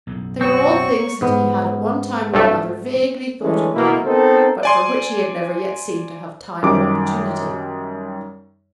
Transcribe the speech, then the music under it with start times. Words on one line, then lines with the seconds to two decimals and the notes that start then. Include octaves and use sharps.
They were all things that he had at one time or another vaguely thought of doing, but for which he had never yet seemed to have time or opportunity.
0.07 B1 F#2 A2
0.41 C4 F#4 C#5 C#6
1.21 G#2 B3
2.33 C2 G2 A3
3.42 D3 E3 G#3 A3 C#4
3.74 B2 A#3 E4
4.06 B3 C4 D#4 A4 A#4 C5
4.63 D5 G#5 C6
6.63 F#2 D#3 G3 D6